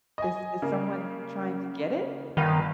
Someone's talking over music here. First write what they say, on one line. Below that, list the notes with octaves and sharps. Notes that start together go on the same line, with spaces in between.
Is is someone trying to get it?
D#5 G#5
C#3 A#3
G1 D#3 F5 B5